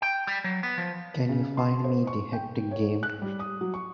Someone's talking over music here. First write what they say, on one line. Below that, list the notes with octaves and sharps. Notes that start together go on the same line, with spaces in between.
Can you find me the Hectic game?
G5
G3
F#3
B3
F3
C#3
C6
C5
C#6
G5
C#5
F#6
G3
D#6
F#3
C#6